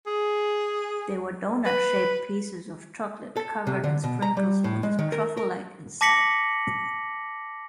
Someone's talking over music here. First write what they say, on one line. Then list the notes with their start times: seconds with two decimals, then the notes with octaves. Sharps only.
They were donut-shaped pieces of chocolate covered in sprinkles, with a truffle-like inside.
0.06 G#4
1.66 B4
3.37 A4
3.67 C3
3.84 D3
4.03 B2
4.22 A#5
4.37 G3
4.64 A2
4.83 G#3
4.99 D#3
5.12 A#4
5.37 A#4
6.01 A5 D6 A#6 B6 C#7 F#7